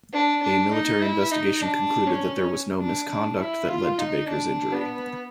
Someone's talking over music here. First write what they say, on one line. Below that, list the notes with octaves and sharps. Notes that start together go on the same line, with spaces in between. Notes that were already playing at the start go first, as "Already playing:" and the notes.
A military investigation concluded that there was no misconduct that led to Baker's injury.
D4
D4
D#4
E4
D#4
D4
C#4
D4
D4
E4
F4
D#4
D4
B3